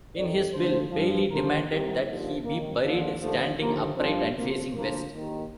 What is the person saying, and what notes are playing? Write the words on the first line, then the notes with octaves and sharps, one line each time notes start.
In his will, Bailey demanded that he be buried standing upright and facing west.
F2 D#3 D5
D2 D3 F3 C5
G2 F3
D#2 D3 F3 A#4
C2 C3 D#3 G4
D#2 D3 F3
D#2 D#3 A#3
D#2 D3 F3
D#2 D3 F3 A3
D#2 D3 F3 A#3
G2 F3 C4
D2 C3 F3 A#3
D2 D3 F3 A#3
D#2 D#3